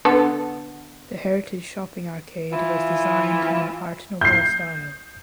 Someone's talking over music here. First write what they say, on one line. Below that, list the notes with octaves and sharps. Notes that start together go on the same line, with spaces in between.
The heritage shopping arcade was designed in an Art Nouveau style.
D3 B3 A4
E3 F3 E4 F4
G6 C7